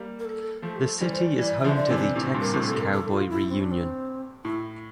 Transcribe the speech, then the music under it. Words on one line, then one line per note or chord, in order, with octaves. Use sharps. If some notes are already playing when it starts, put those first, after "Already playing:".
The city is home to the Texas Cowboy Reunion.
Already playing: G3 A#3
A#4
A4
F3 A3 A4
G4
A4
E3 G3 C5
C5
D5
E3 G3 D5
E5
D3 F3
D5
C3 E3
D5
A2 C3
A2
G2 A#2
A#4
A2 C3
A4
G2
A#4
A4
F4
E4
C4
D4
C4
A2 E4